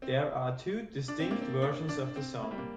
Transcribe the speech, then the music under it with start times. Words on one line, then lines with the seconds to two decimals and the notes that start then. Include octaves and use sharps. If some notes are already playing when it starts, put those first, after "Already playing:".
There are two distinct versions of the song.
0.02 C4
1.08 D4
1.20 C4
1.31 A#3
1.42 C4
1.62 D4
1.89 D4
2.16 C4
2.43 A#3
2.51 G3
2.58 A#3